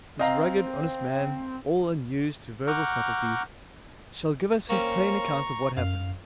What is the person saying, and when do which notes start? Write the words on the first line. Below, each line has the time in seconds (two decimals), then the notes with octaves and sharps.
'This rugged, honest man, all unused to verbal subtleties, shall give us his plain account of what happened.
0.19 C4 D#5 F5 A#5
2.67 F#5 A#5 C#6 D6 F6 G6
4.69 A#3 C4 C#4 A#5 C#6
5.77 F#2 F5